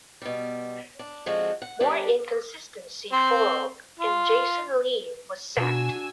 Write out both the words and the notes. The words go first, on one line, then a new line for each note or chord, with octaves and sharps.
More inconsistency followed, and Jason Lee was sacked.
B2 G3
D4
D3 F3 G#3 C4 F#4
F#5
G3 D4 G4
C4 C5
F4
B2 D4 F#4 G#5 E6